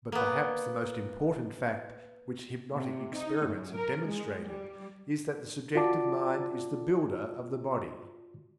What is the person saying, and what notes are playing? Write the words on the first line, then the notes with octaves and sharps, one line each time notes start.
But perhaps the most important fact which hypnotic experiments have demonstrated is that the subjective mind is the builder of the body.
A#3 B3
C3
D#4
F#2
A#4
G#3
G3
F4 F#4 D5 A5 D6